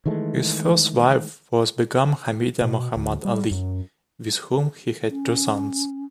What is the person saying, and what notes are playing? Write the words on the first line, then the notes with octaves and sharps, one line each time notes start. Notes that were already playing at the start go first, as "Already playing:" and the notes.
His first wife was Begum Hamida Mohammad Ali, with whom he had two sons.
D#3 E3 G#3 A3
B2
D2
G3
F#2
C#4